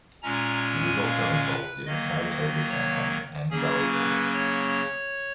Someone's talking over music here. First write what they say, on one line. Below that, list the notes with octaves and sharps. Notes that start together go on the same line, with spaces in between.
He was also involved in the Saratoga campaign and Valley Forge.
A#2 G#3 C#4 A#5
G#5
F5
B4
D#3 F#3 A#3 D#5
D#5
C#5
C#3 F#3 A#3 C#4 G#4
B4
C#5